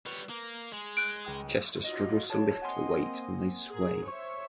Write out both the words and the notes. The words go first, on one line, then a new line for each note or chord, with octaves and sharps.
Chester struggles to lift the weight and they sway.
G3 B4 C#5
A#3
G#3
F#6 G6 D7 D#7
C#2 G5 D#6
D#4 F4 F#4 D#5
C#5 A5
A#3 C4 D#5 F#5 G#5 C6
G#4 A#4
C5 C#5 E5 C#6